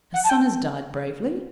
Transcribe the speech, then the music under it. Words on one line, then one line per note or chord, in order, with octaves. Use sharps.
Her son has died bravely.
F#5
A5
G5